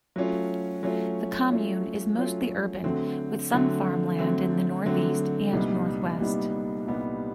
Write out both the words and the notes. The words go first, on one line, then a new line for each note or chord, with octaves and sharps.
The commune is mostly urban with some farmland in the north-east and north-west.
F#3 A3 C#4 F4
F#3 A3 C#4 F4
F#3 A3 C#4 F4
F#3 A3 C#4 F4
D3 F#3 A3 C4
D3 F#3 A3 C4
D3 F#3 A3 C4
D3 F#3 A3 C4
C2 A#2 G3 B3 D#4
C2 A#2 G3 B3 D#4
C2 A#2 G3 B3 D#4